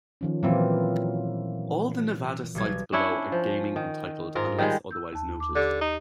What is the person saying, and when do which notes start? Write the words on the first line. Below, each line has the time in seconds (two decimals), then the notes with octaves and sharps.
All the Nevada sites below are gaming-entitled, unless otherwise noted.
0.21 D#3 F3 C#4
0.43 A#2 E3 F#3 A#3 C4 F4
2.55 B1 G3 G#6
2.93 C#4 D4 E4 C#5
3.32 F3
3.76 D#3
4.35 G#2 F4 A#4
4.58 D#3 G3 G#3
4.91 E6 G6
5.13 D#2 A5
5.40 D6
5.56 D3 G4
5.81 D#4